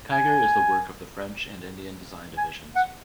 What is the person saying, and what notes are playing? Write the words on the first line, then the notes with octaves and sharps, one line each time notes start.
Kiger is the work of the French and Indian design divisions.
G#5
G#5
F#5